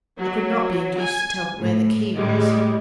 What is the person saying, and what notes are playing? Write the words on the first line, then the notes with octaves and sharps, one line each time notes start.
I could not be induced to tell where the key was.
F#3
G#5
A2
A2 G3 G#3